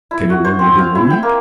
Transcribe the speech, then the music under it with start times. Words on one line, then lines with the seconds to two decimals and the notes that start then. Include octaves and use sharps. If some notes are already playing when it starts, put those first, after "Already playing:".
Can he learn it in a week?
0.11 E4
0.30 F#4
0.45 C5
0.59 C4
0.79 F5
0.95 E4
1.10 G5
1.23 A#3